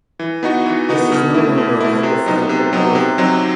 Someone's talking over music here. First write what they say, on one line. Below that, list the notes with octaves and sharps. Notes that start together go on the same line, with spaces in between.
This is no longer a hypothetical worry.
E3
B3 D#4 F#4
E3
B3 D#4 F#4
B2
A3 E4
B2
A3 E4
C3
F#3 B3 D#4
C3
F#3 B3 D#4
C3
F#3 C4 D#4